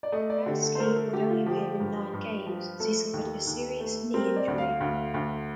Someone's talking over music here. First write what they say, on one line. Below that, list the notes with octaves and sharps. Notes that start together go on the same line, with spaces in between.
Berehowsky would only appear in nine games as he suffered a serious knee injury.
D5
A3 D#5
D5
D3 G4
A4
C5
A3 A#4
A4
D3 G4
F4
F3 G4
G2
G2
F3
A3 A4
D#2
D#2
A3
C4 A#4
D5
D2
F5
D2
D2